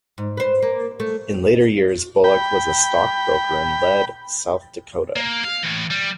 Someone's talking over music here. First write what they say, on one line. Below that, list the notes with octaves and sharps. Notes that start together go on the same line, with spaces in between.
In later years Bullock was a stockbroker in Lead, South Dakota.
G#2
B4 C5
A#3
A3
G5 B5
A#3
F5
A2 E3
G3